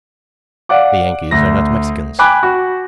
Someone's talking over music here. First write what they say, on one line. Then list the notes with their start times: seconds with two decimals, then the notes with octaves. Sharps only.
The Yankees are not Mexicans.
0.69 D5 F5 F#5 D6
1.31 D2 A#6
2.19 G5 G#5 B5 D6 F#6
2.43 F#4